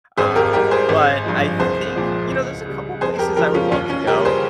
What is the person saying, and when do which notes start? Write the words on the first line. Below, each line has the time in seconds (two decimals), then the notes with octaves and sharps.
Um, but I think you know, there's a couple places I would love to go.
0.17 G#1 G#4 C5
0.36 G4 A#4
0.53 G3 G4 A#4
0.56 G#2
0.71 G#4 C5
0.89 G#1
1.24 G2 F3 G#3
1.59 C2 G#4 C5
1.95 A#2 F3 G#3
2.31 C#2
2.66 C#3 G3
3.01 F2 G#4 C5
3.18 G4 A#4
3.36 C#3 F3 G#3 G4 A#4
3.54 C#4 F4
3.71 D#2 C#4 F4
3.90 C#4
4.07 C#3 G3 G4 A#4
4.25 G#4 C5